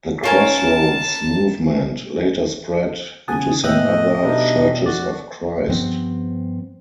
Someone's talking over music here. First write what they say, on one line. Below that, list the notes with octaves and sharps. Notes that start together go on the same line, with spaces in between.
The Crossroads Movement later spread into some other Churches of Christ.
C#4 F4 A#4 G#5 A5
C#3 F#5 G#5 A5 D#6
A2 B3 D#5 E5 G5 D#6 F#6
B2 G3 D4 D#4
F2 F#4 D5
G2 F3 B3 C4